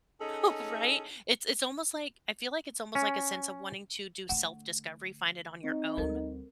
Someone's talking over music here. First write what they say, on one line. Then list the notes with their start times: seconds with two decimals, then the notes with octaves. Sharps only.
know, no, right? It's it's almost like I feel like it's almost like a sense of wanting to do self discovery, find it on your own,
0.21 C#4 D#4 G#4 A4
2.95 C#4
4.29 D3 A3 F#5
5.64 C4 D#4
5.97 D2 G3 A4 A#4